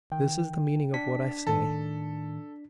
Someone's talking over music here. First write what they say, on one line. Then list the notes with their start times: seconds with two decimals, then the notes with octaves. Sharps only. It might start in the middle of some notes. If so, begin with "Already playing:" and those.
This is the meaning of what I say.
0.12 D#3 G5
0.94 D4 B6
1.47 A2 D#3 A4